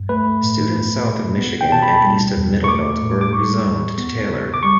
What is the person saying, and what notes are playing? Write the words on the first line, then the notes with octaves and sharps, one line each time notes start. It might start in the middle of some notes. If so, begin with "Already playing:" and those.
Students south of Michigan and east of Middlebelt were rezoned to Taylor.
Already playing: G2
A3 B4
A2
B3
B2
B3
G5
B2 A5
B5
G3
E2
C#6
A3 D6
A2
D6
G3 C#6
E2
B3
C#3
D6
G3 C#6